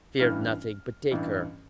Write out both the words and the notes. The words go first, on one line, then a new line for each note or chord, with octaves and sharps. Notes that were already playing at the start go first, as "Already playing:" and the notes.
'Fear nothing, but take her.'
A1 G2 E3 F6
A1 G2 E3